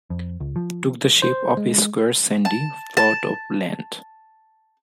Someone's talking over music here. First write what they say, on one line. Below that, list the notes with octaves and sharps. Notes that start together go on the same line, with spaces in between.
Took the shape of a square sandy plot of land.
F2
C#2
F3
C5
G#3
A5
A5